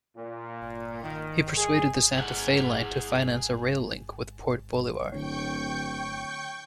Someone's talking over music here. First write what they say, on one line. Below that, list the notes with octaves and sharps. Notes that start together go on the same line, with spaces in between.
He persuaded the Santa Fe line to finance a rail link with Port Bolivar.
A#2
D#3
G#4
G#4 F#5
D1 D3 C#5 G5 C#6 G6